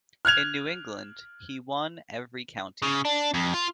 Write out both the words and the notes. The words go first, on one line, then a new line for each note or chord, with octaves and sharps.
In New England, he won every county.
F6 F#6 G#6 F7
C#3
D4
F2
F4